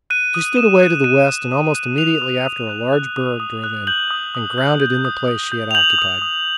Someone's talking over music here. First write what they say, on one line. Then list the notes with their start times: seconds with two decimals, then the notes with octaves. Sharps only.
She stood away to the west, and almost immediately after a large berg drove in and grounded in the place she had occupied.
0.10 F#6 D#7
0.34 D#6
0.57 D#6 E7
0.80 F#6
1.04 F#6 D#7
1.28 D#6
1.52 D#6
1.75 F#6
1.98 F#6 F7
2.22 D#6
2.46 D#6
2.69 F#6
2.93 F#6
3.17 D#6
3.40 D#6
3.64 F#6
3.87 G6 F#7
4.11 D#6
4.35 D#6
4.58 G6
4.81 G6
5.05 D#6
5.28 D#6
5.52 G6
5.71 F7
5.75 G6 F#7
5.98 D#6
6.22 D#6